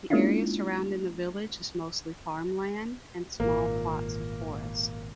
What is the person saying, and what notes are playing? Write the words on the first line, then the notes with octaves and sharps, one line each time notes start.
The area surrounding the village is mostly farmland and small plots of forest.
G#3 A#3 C#4 D4 E4 F4
G#1 A#2 A#3